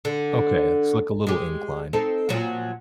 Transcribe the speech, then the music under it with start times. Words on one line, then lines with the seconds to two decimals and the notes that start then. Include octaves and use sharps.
Okay. It's like a little incline.
0.05 D3
1.27 G#3 G4
1.93 C4 D#4 A4
2.29 A#2 F3 F#3